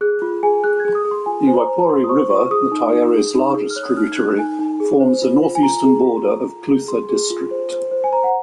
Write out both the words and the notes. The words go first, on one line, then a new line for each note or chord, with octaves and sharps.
The Waipori River, the Taieri's largest tributary, forms the northeastern border of Clutha District.
G#4 F#6
F4
G#4 G#5
G#4 F#6
G#4 G#6
D#6
G#4
C6
F4 G#5
C5 G#5
A#5
C5
A#5
F4 C6
D#6
C5 C#6
F4 C#6
G#4 D#6
D#4
D#4
G#4
D#4
G#4
F6
C#5 F#6
D#6
D#4 F6
G#6
D#4 F#6
D#4 G#5
D#4
G#4
C5
F4
F4
G#5
F4 A#5
G#4
F4
F4
F4
G#4
G#4 C6
G#4
F4
C5
C5
C5
G#5
C5 A#5
F#5